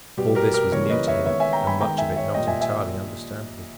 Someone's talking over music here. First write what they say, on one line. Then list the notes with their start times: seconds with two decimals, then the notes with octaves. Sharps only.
All this was new to him and much of it not entirely understandable.
0.17 B2 G3 B3 G4
0.35 G4 A#4
0.54 G4 A#4
0.72 C#3 E3 G3 A#3 A#4 C#5
0.90 B4 D#5
1.07 C#5 E5
1.26 D#3 G#3 B3 C#5 E5
1.40 E5 G#5
1.53 G5 A#5
1.67 G#5 B5
1.80 D#3 G#3 B3 G5 A#5
1.98 E5 G#5
2.16 C#5 E5
2.34 A#2 G3 A#3 D#5 G5
2.47 E5 G#5
2.61 E5 G#5